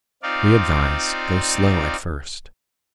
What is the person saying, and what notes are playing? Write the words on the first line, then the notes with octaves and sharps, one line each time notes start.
We advise: Go slow at first.
C4 D#4 F4 D5 F5